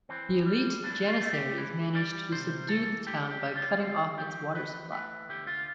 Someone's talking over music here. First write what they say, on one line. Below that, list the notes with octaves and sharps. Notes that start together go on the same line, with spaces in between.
The elite Janissaries managed to subdue the town by cutting off its water supply.
E3 C4
G3
E3 D4
F4
A3
G4
E3
G3 D5
C3 C5
E3 A4
D3 G4
G4
G3
F4
D3 F4
F3 G4
E3 B4
A3 B4
D3 G4
F4